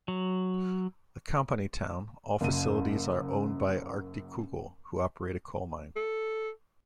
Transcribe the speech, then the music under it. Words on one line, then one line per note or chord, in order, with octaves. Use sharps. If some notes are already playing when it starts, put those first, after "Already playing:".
A company town, all facilities are owned by Arktikugol, who operate a coal mine.
F#3
F#1 F#2 D#7
A4